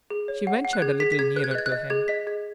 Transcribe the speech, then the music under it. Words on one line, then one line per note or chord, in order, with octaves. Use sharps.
She ventured a little nearer to him.
G#4
C#5
F#5
F#5
F#6
G#4 G#6
G#4 B6
B6
G#4 G#6
B4 F#6
G#6
F#6
D#5 G#6
F#6
D#5
G#4 G#6
D#5 B6
G#4 G#6